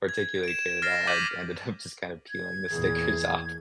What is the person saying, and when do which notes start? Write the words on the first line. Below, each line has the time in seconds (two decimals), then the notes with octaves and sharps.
particularly care about, I ended up just kind of peeling the stickers off,
0.09 G#6
0.44 D7 E7
0.82 F6 A6 A#6 C7
1.07 D6 G6 B6 D#7 F#7
2.30 G#6
2.70 E2 A#2 G#4